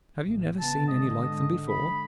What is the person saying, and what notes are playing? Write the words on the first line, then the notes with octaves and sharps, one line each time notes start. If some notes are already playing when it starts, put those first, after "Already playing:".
"Have you never seen any like them before?"
A1
C#3 B3 A5
G#2 D3 D#5
B5